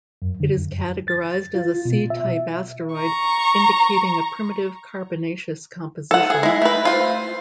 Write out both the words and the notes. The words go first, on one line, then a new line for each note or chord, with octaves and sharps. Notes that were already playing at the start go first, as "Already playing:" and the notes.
It is categorized as a C-type asteroid, indicating a primitive carbonaceous composition.
F#2
D3
F#2
A6
F4
B2
E5
A#5 C#6
A4 F#5
G#4
G#3 E4
A3 B4
F4 C5